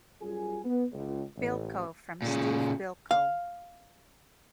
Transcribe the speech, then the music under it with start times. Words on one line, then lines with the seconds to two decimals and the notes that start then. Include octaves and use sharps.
Bilko from Steve Bilko.
0.21 F#2 G3 F4 G#4 G#5
0.64 B3
0.92 C#2
1.37 A1
2.22 A#2 C#3
3.11 F5